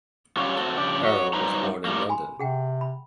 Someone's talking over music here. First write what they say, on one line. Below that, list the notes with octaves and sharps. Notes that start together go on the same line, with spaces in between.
Harrow was born in London.
F#3 G3 C#4 F4 G4 C#5
C4 F#4 A4
C#3 F3 D4 G4 D5
F#4 C#5
F#3 G3 D#4 B4 C5 A#5
A2 G3 A#3
G#5 B5 C6
C3 G#4 F#5 G5
B5